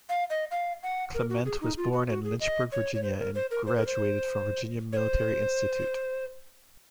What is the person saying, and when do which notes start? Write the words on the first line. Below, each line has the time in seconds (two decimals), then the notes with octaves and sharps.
Clement was born in Lynchburg, Virginia, and graduated from Virginia Military Institute.
0.09 F5
0.30 D#5
0.51 F5
0.83 F#5
1.14 A#4
1.30 F#4
1.45 G#4
1.61 D#4
1.77 F4
1.93 F#4
2.09 F#4
2.24 G#4
2.40 D#5
2.72 C#5
2.95 C#5
3.03 C5
3.19 A#4
3.35 C5
3.51 A#4
3.67 C5
3.76 A#4
3.87 C5
4.93 C#5
4.97 C5